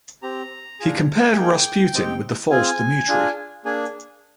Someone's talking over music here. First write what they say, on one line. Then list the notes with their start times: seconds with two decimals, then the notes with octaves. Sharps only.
He compared Rasputin with the False Dmitri.
0.22 C4 G4 A#5
0.80 D4 F4 G#4
1.33 G#5
1.36 A#3 D#4 G#4 G5
1.93 C4 D#4 G4
2.50 C4 F4 G#4 G#5
3.08 D4 F4 G#4
3.65 A#3 D4 G#4 G#5